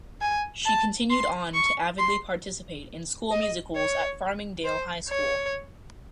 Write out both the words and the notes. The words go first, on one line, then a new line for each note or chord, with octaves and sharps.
She continued on to avidly participate in school musicals at Farmingdale High School.
G#5
A5
C6
C#6
C6
D#5
C#5
C5
C#5